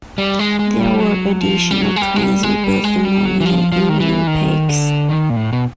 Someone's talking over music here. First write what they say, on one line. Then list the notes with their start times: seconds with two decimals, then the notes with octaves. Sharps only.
There were additional trains in both the morning and evening peaks.
0.18 G3
0.39 G#3
0.59 G#3
0.80 G3
1.00 F#3
1.41 F3
1.71 G3
1.82 F#3
1.96 G#3
2.02 G3
2.16 G#3
2.23 G3
2.43 G#3
2.64 G3
2.84 G#3
3.05 G3
3.25 F#3
3.40 E3
3.46 F3
3.72 F3
3.89 D#3
4.00 E3
4.27 D#3
4.68 D3
5.09 D#3
5.30 A#2
5.36 A2
5.53 B2